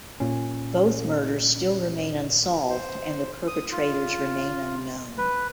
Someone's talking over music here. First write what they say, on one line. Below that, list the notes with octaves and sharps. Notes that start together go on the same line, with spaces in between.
Both murders still remain unsolved and the perpetrators remain unknown.
A#2 C#4
C5
D#6
F4
B4